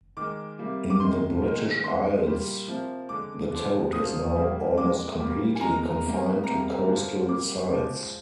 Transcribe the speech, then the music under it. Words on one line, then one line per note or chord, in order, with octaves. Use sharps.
In the British Isles the toad is now almost completely confined to coastal sites.
D#3 G#3 D6
C3 G3 A#3
D6
C3 D#3 G#3 C6
D#3
G#3
D3 G#3 C6
A#2 G3 A#3
C3 F3 A#3
D3 G#3 D6
D3 F3 G#3
A#2 F3 A#3 D#6
A#2 G3 A#3
A#2 G#3 D6
A#2 G3 A#3
G#5
D#3 G#3 A#5
C3 G3 A#3
C3 G3 A#3 A#5
D3 F3 A#3
A#2 G3 A#3 D6
A#2 F3 G#3